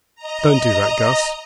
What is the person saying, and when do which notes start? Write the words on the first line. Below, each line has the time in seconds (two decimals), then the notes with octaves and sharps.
"Don't do that, Guss?"
0.15 D#5 A#5